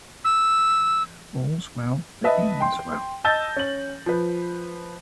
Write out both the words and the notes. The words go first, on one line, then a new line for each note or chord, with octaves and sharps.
All's well that ends well.
E6
B4 D#5 E5 A5
G5 C6
D#5 A5 E6 G6 A6 A#6
C#4 F#7
F3 B4